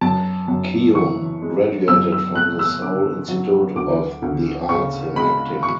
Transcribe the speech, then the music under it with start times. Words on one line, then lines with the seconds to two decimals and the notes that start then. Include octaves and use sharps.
Keum graduated from the Seoul Institute of the Arts in acting.
0.01 F#2 A5
0.48 F#2
0.95 E3 C#6
1.42 G#3
1.88 F#2 E6
2.12 E6
2.35 A3 F#6
2.59 E6
2.82 D3 D6
3.28 F#3
3.76 D2 D6
4.22 D2
4.69 C#3 C#6
5.16 G#3 B5
5.63 C#6